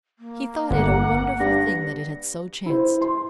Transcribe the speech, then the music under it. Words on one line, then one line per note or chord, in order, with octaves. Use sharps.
He thought it a wonderful thing that it had so chanced.
A#3
G1 F#5
G2 A#6
E4 C5
C6